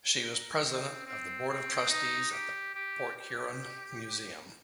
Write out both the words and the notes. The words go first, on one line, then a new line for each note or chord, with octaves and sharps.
She was president of the board of trustees at the Port Huron Museum.
A#4
C4
C4
C4
D#4
G4
G4
G4